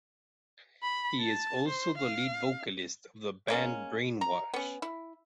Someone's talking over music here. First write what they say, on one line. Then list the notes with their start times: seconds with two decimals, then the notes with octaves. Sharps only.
He is also the lead vocalist of the band Brainwash.
0.83 B5
1.21 A5
1.68 C5
1.98 F5
3.48 G#3 A#3 C#4
4.21 A#5
4.54 B3 C#4
4.82 E4